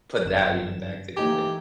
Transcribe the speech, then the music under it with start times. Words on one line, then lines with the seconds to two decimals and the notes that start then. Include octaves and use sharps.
put that even back together.
0.24 G1 F#2 E7
1.17 E3 A3 A#3 D#4 G4 G#5